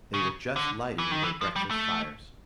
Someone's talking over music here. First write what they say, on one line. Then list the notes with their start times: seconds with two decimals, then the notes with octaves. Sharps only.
They were just lighting their breakfast fires.
0.14 C#3
0.56 D3
0.99 E3
1.11 D#3
1.23 E3
1.41 F3
1.56 G3
1.70 A3